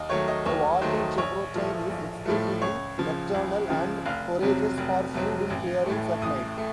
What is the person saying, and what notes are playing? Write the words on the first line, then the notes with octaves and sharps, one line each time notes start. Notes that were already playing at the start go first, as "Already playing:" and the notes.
The water chevrotain is exclusively nocturnal, and forages for food in clearings at night.
Already playing: D#2 D#5 F5
D#3 F#3 A3 C#5
D#5
D#2 C#5
D#3 F#3 A3 C5
A#1 C#5
A2 F3 A3
A#1
A2 F3 A3
C#2 C#5
C#3 F3
C#2
C#3 F3
F1 F5
F2 C3 F#3
F1
F2 C3 F#3
A1
A2 A3
A1 D#6
A3